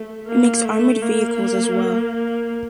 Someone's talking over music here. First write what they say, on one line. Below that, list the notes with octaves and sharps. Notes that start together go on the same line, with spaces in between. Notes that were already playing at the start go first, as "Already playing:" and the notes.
It makes armoured vehicles as well.
Already playing: A3
A#3
A3
A#3
A#3